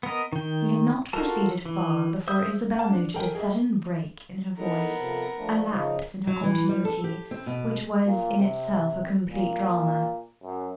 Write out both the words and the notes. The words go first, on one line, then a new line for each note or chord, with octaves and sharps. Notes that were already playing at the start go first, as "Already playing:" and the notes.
She had not proceeded far before Isabel noted a sudden break in her voice, a lapse in her continuity, which was in itself a complete drama.
B3 A#4 D#5
D#3 G5
F4 F#4 A4 A#4 A5
E3
C5 E5 D#6 E6 G6
F#5 A5
D4
A4 A#4 G5 G#5
G#4 D#5 E5
E3 B3 D#4 A4 A#4
C3 F3 A4
F3 A3 D4
C#3 F3 D#4
F#3
E3
G3
A4
G4
C4
B2
A#2
C3
A#2
F#2